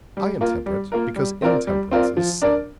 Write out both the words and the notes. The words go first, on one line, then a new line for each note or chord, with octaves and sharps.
I am temperate because intemperance is sin.
G3
A#3 F4 A#4
G3
A#3 F4 A#4
G3
C4 F4 A#4 D5
G3
C4 F4 A#4 D5
F3
D4 A#4 D5